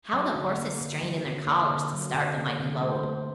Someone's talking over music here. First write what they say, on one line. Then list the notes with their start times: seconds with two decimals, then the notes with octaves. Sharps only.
How the horses strained in their collars to start the mighty load!
0.13 F#3 D#5
0.35 D3
0.58 A#3
0.81 D3
1.03 F#3
1.25 D3
1.47 A#3 D5
1.70 D3
1.93 F#3
2.15 D3
2.37 A#3
2.60 D3
2.82 A3 C5
3.05 A3